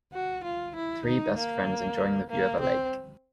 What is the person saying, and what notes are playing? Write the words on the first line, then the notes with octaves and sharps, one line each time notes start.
Three best friends enjoying the view of a lake.
F#4
F4
E4
D#4
A#3
A#3
C4